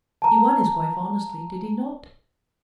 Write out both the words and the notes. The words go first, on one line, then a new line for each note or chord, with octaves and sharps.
He won his wife honestly;--did he not?
A5 A#5